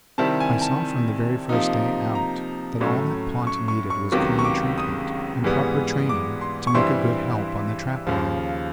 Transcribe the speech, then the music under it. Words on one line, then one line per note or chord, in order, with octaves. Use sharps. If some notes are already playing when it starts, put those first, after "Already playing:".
I saw from the very first day out that all that Pont needed was kind treatment and proper training to make a good help on the trap line.
C3 D#3 G3 C4 E4 A5
G#5
A5
C3 F3 A#3 D#4
A#5
A2 F#3 A3 C#4
C#6
C#6
C#6
C#2 C3 D#3 F#3 B3 D6
C#6
D6
D#6
G#2 E3 G3 B3
D6
C6
C#6
G2 E3 G3 C4 E4 C6
D#2 C#3 F3